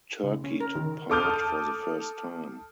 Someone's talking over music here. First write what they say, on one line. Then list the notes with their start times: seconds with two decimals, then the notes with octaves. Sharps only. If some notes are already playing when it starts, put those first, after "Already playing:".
Turkey took part for the first time.
0.23 C#3
0.44 C#4
0.60 A#4
0.76 D#3
1.09 A4 A5 D6 D#6 F6 G6